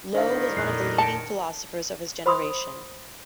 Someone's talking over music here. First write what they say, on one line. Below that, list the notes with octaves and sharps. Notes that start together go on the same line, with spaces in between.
Lowe was one of the leading philosophers of his generation.
A2 D3 D#3 D4 C5 F5
F2 A#2 D#6 F#6 C7
A5 C#7 D7
C5 B5 C6 D#6